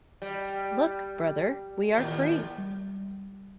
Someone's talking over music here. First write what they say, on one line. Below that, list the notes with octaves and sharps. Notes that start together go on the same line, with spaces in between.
Look, brother, we are free!
G3
D#2 A#2
G3